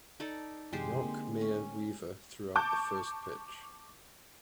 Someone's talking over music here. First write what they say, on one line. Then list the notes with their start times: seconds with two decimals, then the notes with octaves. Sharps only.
York Mayor Weaver threw out the first pitch.
0.20 D#4 A4 D5
0.73 F#2 C3 E3 G#3 G4 C5
1.02 D3 A#3 C4
1.41 C#4
2.55 A5 C#6 D6 G6